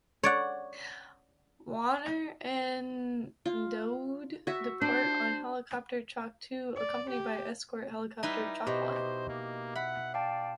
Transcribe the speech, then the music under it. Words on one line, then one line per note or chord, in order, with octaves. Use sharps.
Warner and Daoud depart on helicopter "Chalk Two" accompanied by escort helicopter "Chalk One".
C#5 D5 F#5
F4
F#4 E5
D4 C5
D5
G4
G3 D#4 E4 B4
B2 G4 C5 D#5
A#3
E5 F#5 B5
D5 F5 G5 A5